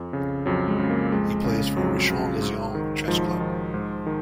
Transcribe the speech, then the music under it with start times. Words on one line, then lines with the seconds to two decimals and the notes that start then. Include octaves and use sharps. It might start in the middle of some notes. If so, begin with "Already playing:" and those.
He plays for Rishon LeZion chess club.
Already playing: F2
0.13 C#3
0.46 F2 F#3
0.68 G#3
0.79 C#3
0.90 A#3
1.12 F2 G#3
1.44 C#3
1.77 F2 F#3
2.10 C#3
2.42 G#2
2.75 D#3
3.08 G#2 F3
3.27 F3
3.40 D#3
3.74 G#2
4.06 D#3